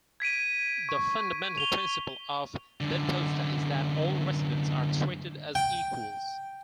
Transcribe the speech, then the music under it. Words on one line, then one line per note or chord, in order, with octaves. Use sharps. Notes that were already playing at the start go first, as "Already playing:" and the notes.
The fundamental principle of Benposta is that all residents are treated as equals.
G#6 B6 D7 D#7
C#6
F7 G7
F#2 D3
G5